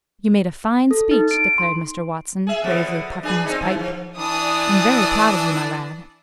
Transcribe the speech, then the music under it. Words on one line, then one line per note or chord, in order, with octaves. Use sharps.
"You made a fine speech," declared Mr. Watson, gravely puffing his pipe. "I am very proud of you, my lad."
A4
D#4
D7
C6
G#4 E5
D3 F3 B3
D4 G#4 B4
C4 C#4 D#4
E3
F3
E3 D4 D5 G#5 D#6